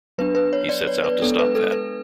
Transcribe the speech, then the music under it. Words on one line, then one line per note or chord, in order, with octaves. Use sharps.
He sets out to stop that.
F#3 B3 D4 B4
B4
C#5
D5
C#5
B4
G#3 B3 D4 A4
B4
A4
B4